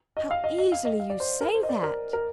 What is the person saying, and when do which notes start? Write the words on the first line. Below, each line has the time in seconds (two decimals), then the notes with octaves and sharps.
"How easily you say that!"
0.17 D#5
0.31 F5
0.44 D#5
0.58 D#5
0.72 F5
0.85 D#5
1.00 F5
1.10 D5
1.20 C5
1.41 A#4
1.55 C5
1.63 D#5
1.69 D5
1.83 A#4
2.13 A#4